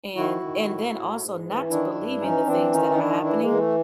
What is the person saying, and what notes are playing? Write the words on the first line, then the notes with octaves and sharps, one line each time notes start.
and and then also not to believe in the things that are happening,
D#3 E4 F#4
D#3
A2
A2
G#2
E3
D#3 D4 E4
G2
E3 C#4 D#4
E3 C4 D4
D#3 C#4 D#4
D#3 D4 E4
E3 D4 E4
G#3 A#3
E3
A3